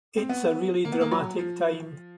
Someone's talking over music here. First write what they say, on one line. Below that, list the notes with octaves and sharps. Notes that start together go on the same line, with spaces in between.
It's a really dramatic time.
C4
B3
A#3
B3
A#3
F#3
F3